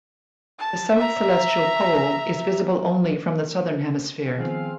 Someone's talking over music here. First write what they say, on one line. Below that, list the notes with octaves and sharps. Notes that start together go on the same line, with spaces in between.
The south celestial pole is visible only from the Southern Hemisphere.
A5
E5 A#5
D#3 F3 B3 C4 G#4 F5